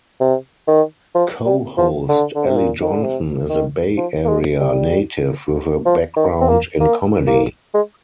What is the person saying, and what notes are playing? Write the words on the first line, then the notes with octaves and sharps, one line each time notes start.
Co-host Ally Johnson is a Bay Area native with a background in comedy.
C3
D#3
F3
G3
F3
D3
D3
C3
A#2
D#3
D3
C3
D#3
F3
A#3
G#3
G3
F3
D#3
C4
A#3
A#3
A#3
G#3